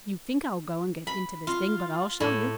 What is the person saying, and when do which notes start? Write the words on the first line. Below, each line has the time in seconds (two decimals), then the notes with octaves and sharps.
You think I'll go and get into this thing, but I'll show you.
1.07 B5
1.47 F4
2.20 A2